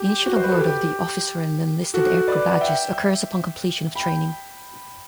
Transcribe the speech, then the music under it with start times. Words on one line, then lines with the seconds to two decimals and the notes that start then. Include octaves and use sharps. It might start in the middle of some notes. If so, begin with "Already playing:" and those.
Initial award of the Officer and Enlisted Aircrew Badges occurs upon completion of training.
Already playing: G4
0.26 F#4
0.36 C5
0.44 B4
0.51 A4
0.60 G4
1.94 F#4 A4
2.28 B4 D5
2.51 F#5
2.61 E5 G5
3.96 G5 B5